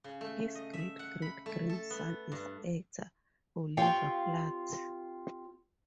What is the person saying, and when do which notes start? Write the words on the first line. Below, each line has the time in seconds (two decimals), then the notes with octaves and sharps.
His great-great-grandson is actor Oliver Platt.
0.04 C#3
0.21 A3
0.55 D#5
0.73 E5
0.99 F#5
1.22 B5
1.46 A3
1.69 A4
1.90 B3
2.32 G2
3.77 C4 F4 G4 C#5 F5 G5